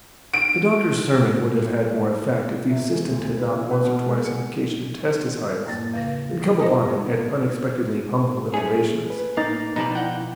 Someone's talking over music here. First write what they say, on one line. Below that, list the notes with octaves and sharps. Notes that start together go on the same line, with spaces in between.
The doctor's sermon would have had more effect if the assistant had not once or twice had occasion to test his highest, and come upon it at unexpectedly humble elevations.
D7
C3
G#3
D2
B4
E4
B4
B2
G#3
C#7
F#2 A2 A#3 A6
E2 C#3 A#6
F4 C5 D#5 A5 D#6
A3 C#4 G#4
B4
A2 A#3 D#4 A6
B2 F3 D#4 D5 A5
E4 F#5 G5